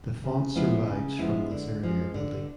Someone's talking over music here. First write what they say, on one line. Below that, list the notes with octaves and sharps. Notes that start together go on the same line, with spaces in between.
The font survives from this earlier building.
C#3
F3 G#3 B3 E4
C#3
F3 G#3 B3 E4
D3
F3 G#3
D3